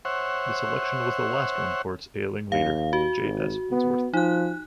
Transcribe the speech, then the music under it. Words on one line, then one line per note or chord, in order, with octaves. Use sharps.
This election was the last one for its ailing leader, J. S. Woodsworth.
C5 C#5 E5 F#5
D#2 F5
F#4
G#1
B3
F3 D#4 F#6